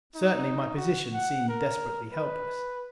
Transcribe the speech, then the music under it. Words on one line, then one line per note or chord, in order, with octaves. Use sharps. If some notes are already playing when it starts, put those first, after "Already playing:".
Certainly my position seemed desperately helpless.
D#4
F#4
F#5
A#4
B4